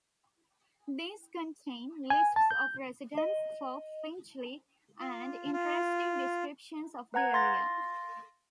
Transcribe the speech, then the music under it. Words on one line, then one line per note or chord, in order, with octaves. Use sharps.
These contain lists of residents for Finchley and interesting descriptions of the area.
G#5
A5
G6
D#5
F4
F4
B4 F#5 A#5 G#6
F5 C6 A6 A#6